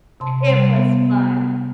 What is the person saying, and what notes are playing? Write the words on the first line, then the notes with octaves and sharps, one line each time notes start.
it was fun.
C3 A5 C6
G3
B3